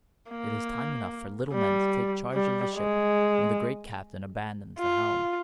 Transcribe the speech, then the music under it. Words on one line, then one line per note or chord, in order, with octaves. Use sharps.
It is time enough for little men to take charge of the Ship when the great Captain abandons the helm.
A#3
G3
G3
G#3
F4